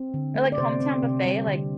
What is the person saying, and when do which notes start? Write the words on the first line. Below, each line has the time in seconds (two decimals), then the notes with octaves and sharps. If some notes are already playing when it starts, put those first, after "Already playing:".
Or, like, Hometown Buffet, like
Already playing: C4
0.14 D3
0.35 A3
0.52 D5
0.58 C3 C5
0.80 C4
1.03 C3
1.25 G3
1.47 D3